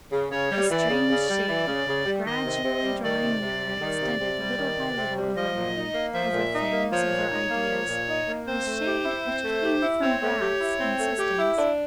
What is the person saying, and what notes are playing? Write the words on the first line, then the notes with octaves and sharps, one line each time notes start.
A strange shade, gradually drawing nearer, extended little by little over men, over things, over ideas; a shade which came from wraths and systems.
C#3
C#3 C#5
G3
E3 D5
C#3
C#3
G3
E3
C#3
C#3
G3
D#3 D#5
C3
C3
G3
D#3 D5
C3
C3
G3
D#3
C3
C3
G3
D#3
C3
C3
G3
F3 D#5
A#2
D#4
A#3
F3 E5
A#2
D#4
A#3
F3 C#5
A#2
D#4
A#3
F3
A#2
D#4
A#3
C4 C5
A3
G4
E4
C4
A3
G4
E4
C4 C#5
A3
G4
E4
C4
A3
G4
E4
D4